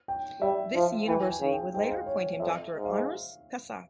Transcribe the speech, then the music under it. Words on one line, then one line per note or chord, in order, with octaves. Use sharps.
This university would later appoint him doctor honoris causa.
G5
G3 E5
F3 F5
E3 G5
G5
G#5
C#3
G5
G#2 G5
F5
C#5
F2 E5
G#2
F5